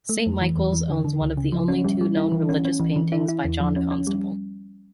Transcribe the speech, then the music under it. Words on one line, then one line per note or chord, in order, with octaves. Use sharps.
Saint Michael's owns one of only two known religious paintings by John Constable.
A3
F2
E3
E2
E3
D3
D3
C#2
C#3
F3
C#4
G3
G3
E4
E3
C#4
C#4
E3
E3
E4
E4
E2
F3
C#4
C#4
G3